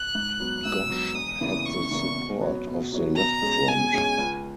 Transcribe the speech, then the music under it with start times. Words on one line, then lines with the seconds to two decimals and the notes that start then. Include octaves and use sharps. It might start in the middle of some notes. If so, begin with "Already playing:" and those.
Ghosh had the support of the Left Front.
Already playing: F#6
0.15 G#2
0.40 F#3 B3
0.64 G#2 E6
0.90 F#3 B3
1.15 E1 D#6
1.41 E2 C#3 E3 A#3
1.66 E1 C#6
1.91 E2 C#3 E3 A#3
2.16 B2
2.41 F#3 B3 F#4 C#5
2.67 B2
2.92 F#3 B3 F#4 C#5
3.17 B2 A#5
3.42 G#3 C#4 G#4
3.67 B2 G#5
3.93 G#3 C#4 G#4
4.18 C#2